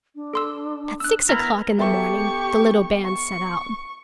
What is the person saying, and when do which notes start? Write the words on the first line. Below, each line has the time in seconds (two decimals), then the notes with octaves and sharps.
At six o'clock in the morning the little band set out.
0.15 D4
0.33 A4 C6 E6
1.00 E6 F#6
1.29 B3 E4 A#4 F6
1.79 B3 G4 A4 E5 C#6
3.05 C#6